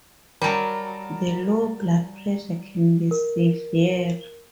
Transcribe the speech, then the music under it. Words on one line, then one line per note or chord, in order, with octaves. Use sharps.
The low blood pressure can be severe.
F#3 G3 A#4 A5
A#4